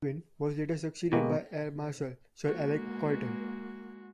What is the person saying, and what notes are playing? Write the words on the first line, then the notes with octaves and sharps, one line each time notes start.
Baldwin was later succeeded by Air Marshal Sir Alec Coryton.
B2 G#3 A#3 G4
G#3 A#3 F#4